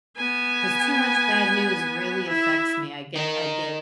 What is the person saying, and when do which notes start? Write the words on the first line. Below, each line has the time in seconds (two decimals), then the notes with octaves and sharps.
'Cause too much bad news really affects me, I get I get,
0.17 B3 G#5
2.28 E4
3.16 D#4 A#4